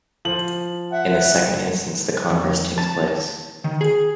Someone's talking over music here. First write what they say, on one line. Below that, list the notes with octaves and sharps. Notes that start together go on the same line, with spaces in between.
In the second instance, the converse takes place.
F3 F#7
E5 F#5
F2
A5
D#3
G#4